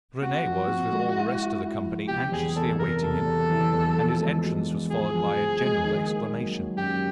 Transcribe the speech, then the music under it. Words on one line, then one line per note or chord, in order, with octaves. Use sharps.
Renee was, with all the rest of the company, anxiously awaiting him, and his entrance was followed by a general exclamation.
C4 F#4
F3
C4
G#3
E4
E4
E4
F3
C3 G4
E2 G#4
E2 A4
C3 A#4
C3 A4
E2
E3
E2
F3
G#3
G#3
F3
F3 G#4
F3
F3
G#3
D#3
A#3
F#3
F#3
F#2 G4